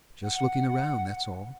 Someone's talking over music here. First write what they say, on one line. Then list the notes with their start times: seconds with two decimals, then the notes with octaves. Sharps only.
"Just looking around, that's all."
0.23 F#5